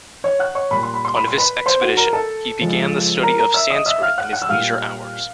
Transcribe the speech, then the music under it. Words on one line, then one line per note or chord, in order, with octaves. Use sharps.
On this expedition, he began the study of Sanskrit in his leisure hours.
C#5 C#6
F#5 F#6
C#5 C#6
A#2 G3 B5
C6
B5
C6
B5
C6
B4 B5
C5 C6
F#4 F#5
A#4 A#5
A4 A5
C#3 F3 G#3
A#4 A#5
A#4 A#5
E5 E6
D#5 D#6
E5 E6
F5 F6
F#5 F#6
F#5 F#6
E6
A#2 G3 F5 F6